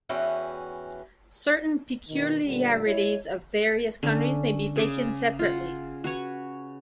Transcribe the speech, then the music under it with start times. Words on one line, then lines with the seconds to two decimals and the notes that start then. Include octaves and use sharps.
Certain peculiarities of various countries may be taken separately.
0.09 E2 E3 C#4 F#4 G5
2.09 B2 D#3
2.46 A#2 D3 G3
2.85 G#3 E4 C#5
4.03 D3 C#4
4.76 C#3 G#4 D6
5.39 F4 F#5
6.04 F#4 B4 C#5